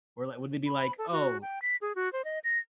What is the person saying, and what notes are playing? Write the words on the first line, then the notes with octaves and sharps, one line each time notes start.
Or, li would they be like, "Oh,
B5
A4
F#4
G5
B6
G#4
F#4
C5
D#5
A#6